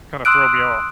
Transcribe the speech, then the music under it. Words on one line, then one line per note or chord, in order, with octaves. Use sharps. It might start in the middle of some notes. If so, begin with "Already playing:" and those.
kinda throw me off.
C6 D#6 E6 F#6 D7